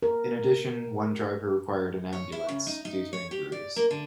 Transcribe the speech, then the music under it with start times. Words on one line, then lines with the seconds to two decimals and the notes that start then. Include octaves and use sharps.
In addition, one driver required an ambulance due to injuries.
0.03 A#4
2.13 C#5
2.32 E4
2.49 C#3
2.67 D#4
2.85 D#4
3.13 C#5
3.31 G4
3.52 D5
3.76 A#3
3.91 D3